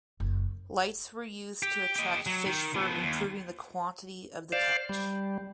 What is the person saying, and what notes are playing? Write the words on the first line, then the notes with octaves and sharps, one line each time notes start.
Lights were used to attract fish for improving the quantity of the catch.
F#1
G4
G4 D#5
F#3
D#3
F3 B3
D#2
C5 D5 F5
G3